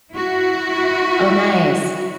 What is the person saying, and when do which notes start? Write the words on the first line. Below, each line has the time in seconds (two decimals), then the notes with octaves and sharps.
Oh, nice.
0.11 E4 F#4